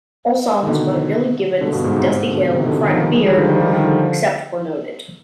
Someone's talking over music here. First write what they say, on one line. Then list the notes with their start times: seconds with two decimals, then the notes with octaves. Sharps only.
All songs by Billy Gibbons, Dusty Hill and Frank Beard, except where noted.
0.63 D#3
0.67 B2 D3
1.61 B2 D3
1.72 G2 B2
1.84 G#2
1.96 G#2 C3
2.08 G#2 C3
2.31 B2 D3
2.55 C3 D#3
2.66 B2 D3
2.84 D#3
2.91 D3 F3
3.01 D#3 G3
3.14 F3 G#3
3.26 D#3 G3
3.37 D3 F3
3.49 D#3 G3
3.55 F3
3.60 D#3 G3
3.73 D#3 G3
3.84 D3 F3